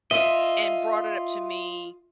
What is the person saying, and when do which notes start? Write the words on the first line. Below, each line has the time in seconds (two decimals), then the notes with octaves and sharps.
and brought it up to me
0.11 F4 D#5 E5